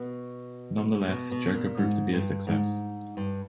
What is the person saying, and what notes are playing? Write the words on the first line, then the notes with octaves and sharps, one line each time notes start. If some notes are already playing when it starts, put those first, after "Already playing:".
Nonetheless, "Joker" proved to be a success.
Already playing: B2
B2
B2
A#2
G#2
G2
G#2
G2